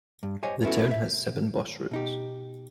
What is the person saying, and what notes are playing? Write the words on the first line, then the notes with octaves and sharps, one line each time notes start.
The town has seven bus routes.
G2
G4 C5 C#5 D#5 G#5
B3 C#4 E4 F#4 A4
E5
B2 D#4 G4